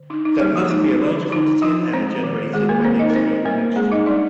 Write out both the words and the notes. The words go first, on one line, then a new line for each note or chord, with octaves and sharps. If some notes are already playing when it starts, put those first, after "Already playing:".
There must be a large quantity of air generated by the exploding mixture.
Already playing: D3
D4 D#4
D#4
G3 A#3 G4
F3 F4
G#3 D#4
D3
D3 D#4
F3 D4 F4
G#3 C4 C5
D#3
D#3 G#3 G#4
A#3 A#4
C4 C5
D#4 D#5
A#4
C4 C5
G3 A#3 A#4
G#3 C4 G#4
D#4 D#5
G3 D4 D5